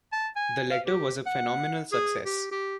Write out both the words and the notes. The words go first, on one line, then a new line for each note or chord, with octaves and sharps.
The letter was a phenomenal success.
A5
G#5
F5
G4
F#5
G#4
G4
G4